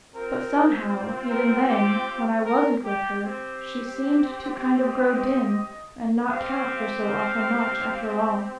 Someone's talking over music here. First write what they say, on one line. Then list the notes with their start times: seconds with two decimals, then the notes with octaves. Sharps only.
But, somehow, even then, when I wasn't with her she seemed to kind of grow dim and not count for so awful much after all.
0.15 C4 F4 A#4
0.91 G4
1.30 A#4
1.69 G4
2.45 A#4
2.83 G4
3.23 C4 G4
4.76 D#5
6.29 C4 G4 F5
7.06 F5